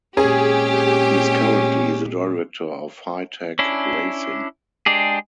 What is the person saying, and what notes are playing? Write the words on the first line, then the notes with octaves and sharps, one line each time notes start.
He is currently the director of Hitech Racing.
A#2 G#3 C4 C#4 G4 G#4
C#4 D4 E4
G#3 D4 G4 G#4